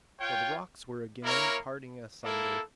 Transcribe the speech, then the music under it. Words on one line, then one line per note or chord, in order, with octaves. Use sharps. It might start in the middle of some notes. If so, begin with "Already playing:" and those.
For the rocks were again parting asunder.
F4 C#5 G5
A#3 E4 A#4 C#5
A#3 E4 A4